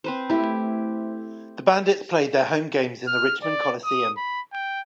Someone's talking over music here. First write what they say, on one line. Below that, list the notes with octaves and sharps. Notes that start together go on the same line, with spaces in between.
The Bandits played their home games in the Richmond Coliseum.
C4 B4 C5
A3 E4 G4
F6
D5
D#6
B5
G5